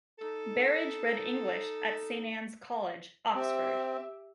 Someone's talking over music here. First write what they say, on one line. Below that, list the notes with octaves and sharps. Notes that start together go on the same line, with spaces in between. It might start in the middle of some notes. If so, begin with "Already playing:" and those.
Berridge read English at Saint Anne's College, Oxford.
D#4 A4
C4 G4 E5